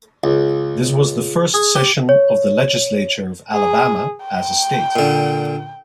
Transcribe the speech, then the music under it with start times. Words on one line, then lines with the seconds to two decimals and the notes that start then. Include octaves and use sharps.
This was the first session of the Legislature of Alabama as a State.
0.24 C#2
1.54 G#4
1.75 G4
2.09 C#5
3.52 G#4
4.24 G5
4.96 A#2 D3